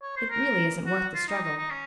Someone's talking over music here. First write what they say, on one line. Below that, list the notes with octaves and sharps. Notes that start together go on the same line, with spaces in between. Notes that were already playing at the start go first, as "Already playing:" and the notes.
"It really isn't worth the struggle."
C#5
C5
A#4
F#4
F4
D#4
D#4
D#4
C#4